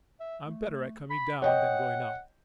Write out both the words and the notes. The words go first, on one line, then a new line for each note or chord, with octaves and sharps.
"I'm better at coming down than going up."
E5
A3
B5
C#5 D#5 F#5 G5